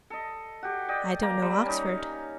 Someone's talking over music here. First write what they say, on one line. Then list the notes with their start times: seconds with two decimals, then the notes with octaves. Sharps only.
'I don't know Oxford.
0.10 A4 D#5
0.63 F#4 G4
0.88 D5 D#5 G5
1.22 A#3 A#5 D6
1.42 G3
1.65 C#4 D#4